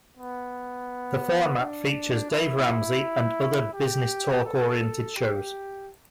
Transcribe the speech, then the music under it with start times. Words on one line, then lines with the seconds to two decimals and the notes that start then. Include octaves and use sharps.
The format features Dave Ramsey and other business-talk oriented shows.
0.17 B3
1.60 D4
2.31 E4
3.74 G4
4.45 A4
5.16 G4